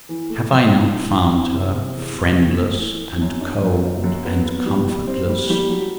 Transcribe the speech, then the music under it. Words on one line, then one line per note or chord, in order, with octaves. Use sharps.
Have I not found her friendless, and cold, and comfortless?
E3
A3
F#2
E3
E3
D4
E3
C3
C3
E2
C3
E3
A3
E3
E3
F#2
D4
F#2
F#2
F#2
B3
B3
G3
G3
C4
G3
G3
F#3